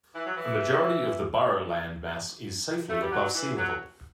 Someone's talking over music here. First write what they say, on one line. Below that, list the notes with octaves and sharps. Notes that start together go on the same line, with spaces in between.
A majority of the borough land mass is safely above sea level.
E3
F#3
E3
A3
G3
F#3
E3
F#3